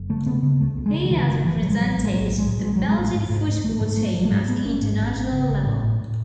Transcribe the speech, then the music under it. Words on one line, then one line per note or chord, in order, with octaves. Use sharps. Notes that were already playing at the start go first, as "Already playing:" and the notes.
He has represented the Belgian football team at international level.
Already playing: F#1
C#3 A3
C#3 B3
C#3 B3
C#2 A3
C#2
G#3
C#3
D#3
C#3 E3
F#1 D#3
F#1 E3
A1 F#3
G#3
A1 F#3
A1
G#3
B1 F#3
B1
G#3
A2
A1 G#3
A1 F#3
G#3
A1 A3
G#2
G#2
G#2
A1 A3
G#2 A3
G#2 A3
G#1 F#3
A3
G#2 G#3
G#2 B3
G#1 C#4
G#2
G#1
G#1
C#3
G#1
A2
A2
A2